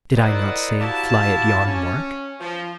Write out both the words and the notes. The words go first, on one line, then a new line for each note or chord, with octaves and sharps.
Did I not say: 'Fly at yon mark'?
E4 A#4 C5 D5 D#5 F#5
E4 F#4 G4 F5 A5
C#4
F3